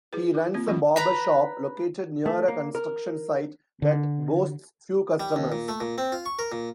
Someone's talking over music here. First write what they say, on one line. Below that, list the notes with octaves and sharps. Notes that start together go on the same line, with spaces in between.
He runs a Barber Shop located near a construction site that boasts few customers.
E4 G#4 B4
E4
A#3 C4 F4
E3 F#3 G#3 C#4 F4
B4 A#5 B5
A3
A#3
A#4
D3
G3
D#2
A#2
A3
A#2
C4
F4
C#6
A#4
A#2